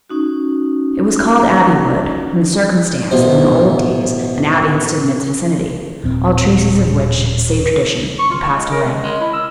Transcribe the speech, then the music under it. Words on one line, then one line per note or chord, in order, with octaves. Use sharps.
It was called Abbey Wood, from the circumstance that in old days an abbey had stood in its vicinity, all traces of which, save tradition, had passed away.
C#4 D#4 F#4
A1 B2 C5
D#1 A1 C4
C#6
F4
A#3
G#3
A#4
G#3
G#3
E4
E6